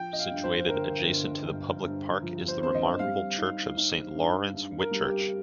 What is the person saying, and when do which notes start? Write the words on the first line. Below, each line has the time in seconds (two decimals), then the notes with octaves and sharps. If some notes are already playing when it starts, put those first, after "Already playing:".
Situated adjacent to the public park is the remarkable church of Saint Lawrence, Whitchurch.
Already playing: F3 G5
0.13 D#5
0.19 F5
0.31 G2
0.44 C5
0.69 G1 A#4
1.08 G1
1.46 G2
1.85 G2
2.23 F3
2.48 C5
2.62 C4 C5
2.75 D#5
2.99 G3 F5
3.38 D#4
3.77 D#4
4.14 G2
4.54 G2
4.79 A#4
4.91 G3
5.04 G4